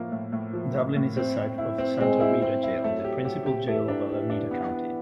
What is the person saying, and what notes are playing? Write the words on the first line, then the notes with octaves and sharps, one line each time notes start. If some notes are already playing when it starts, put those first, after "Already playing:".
Dublin is the site of Santa Rita Jail, the principal jail for Alameda County.
Already playing: A2 F3 A#3
A2
A2
F3
A2
A2
C4
C4
E4
C4
G#3 C4
E4
C4
E4
F#3 A3
G4
G4
G4
E3 A3
D4
G4
D4
B3
B3